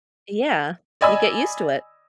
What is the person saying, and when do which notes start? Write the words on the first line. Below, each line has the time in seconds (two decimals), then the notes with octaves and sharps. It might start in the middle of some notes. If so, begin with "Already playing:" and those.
Yeah. You get used to it.
1.01 D5 D#5 G#5 B5 E6